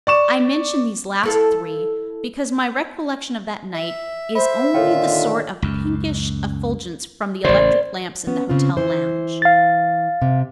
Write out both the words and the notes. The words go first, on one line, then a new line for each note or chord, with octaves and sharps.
I mention these last three because my recollection of that night is only the sort of pinkish effulgence from the electric-lamps in the hotel lounge.
D5 C#6 E7
E4 A4 F5
E5
C5 E5 B5
A#2 D3 D#3 F4 A4 C#5 G5
C#2 F#2
A1 C#3 C5 D5
B3 C#4
C#3 C4 F4
E3 C5
F5 A6
C3